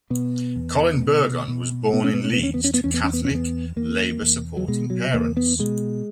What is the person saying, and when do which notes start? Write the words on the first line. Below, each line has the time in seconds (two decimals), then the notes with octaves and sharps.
Colin Burgon was born in Leeds to Catholic, Labour-supporting parents.
0.10 B2 B3
0.56 E2
1.02 B2
1.48 B2
1.93 B2 B3
2.04 C#4
2.14 B3
2.24 C#4
2.33 B3
2.38 E2 C#4
2.54 B3
2.64 C#4
2.74 B3
2.84 E2 C#4
2.94 B3
3.04 C#4
3.13 B3
3.25 C#4
3.30 E2 B3
3.76 E2 A#3
4.22 E2
4.57 F#3
4.68 B2 G#3
4.90 F#3
5.14 E2 A#3
5.37 B3
5.59 B2 G#3